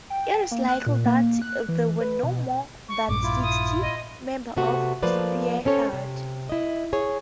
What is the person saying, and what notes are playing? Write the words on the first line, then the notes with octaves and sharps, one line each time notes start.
It is likely that there were no more than sixty members of Spearhead.
G5
A#3
F#6
A#2
A#3
F#6
E3
B4
B2
C#6
A#1 G2 A#2 D6
E4 F4
D#6
D#5
C3 A3 B3 F#4
F3 A3 A#3 B4 C5 D5
C4 C#4 A4 C#5
C3
E4 D#5
G#4 C#5